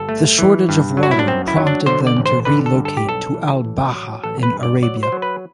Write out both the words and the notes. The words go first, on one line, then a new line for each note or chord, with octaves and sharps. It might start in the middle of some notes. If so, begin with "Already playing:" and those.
The shortage of water prompted them to relocate to Al Baha in Arabia.
Already playing: G1 A4
A3
E3
G2
F#3
F#4
E4
D4
F#2 C4
E4
F#3
D4
D3 C5
D5
A1
C5
D3 B4
A4
G2
A4
G4
B1 A4
E3
A1
F#3
A1 A4
B4
G2
D5
F#3 D5
C5
F#3
B4